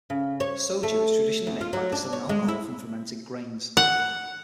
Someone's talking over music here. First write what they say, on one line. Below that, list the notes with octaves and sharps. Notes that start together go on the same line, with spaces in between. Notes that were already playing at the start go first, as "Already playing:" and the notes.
Soju is traditionally made by distilling alcohol from fermented grains.
C#3
C#5
A3
D2
F4
F#3
D4
C#5
G#3
E4
F#5